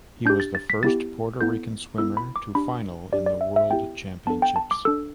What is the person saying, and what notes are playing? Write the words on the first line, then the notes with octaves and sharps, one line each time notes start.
He was the "first" Puerto Rican swimmer to final in the World Championships.
D4 G4 G6
A6
A6
B6
B3 E4 G4 A6
B3 E4 A4 G6
B3 E4 A4 E6
B5
D6
D4 G4 B5
D4 G4 D5
D5
E5
E5
B3 E4 G4 G5
B3 D4 A4 A5
G5
A5
D6
D4 A4 E6